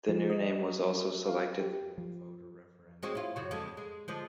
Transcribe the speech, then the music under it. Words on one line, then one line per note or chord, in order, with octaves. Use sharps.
The new name was also selected through a voter referendum.
F3
D#5
F5
G4
F3
G#3 C4 F#4
E4 F4
F#2 C#3 F#4
F2 D3 G#3
G#3
D3 F3 G#3